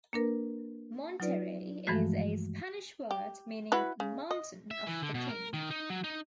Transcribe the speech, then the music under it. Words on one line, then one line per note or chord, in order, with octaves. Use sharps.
"Monterey" is a Spanish word meaning "mountain of the king".
A#3 D4 A#4 B4
F#3 D#4 F4 B4 D5
G2 E3 F3 G#3 A3 F#4
G4
E4 F#4 B4
C#3
D#5
E5
E3
D3
B2
A#4
D#3
D#4
F#3
D#4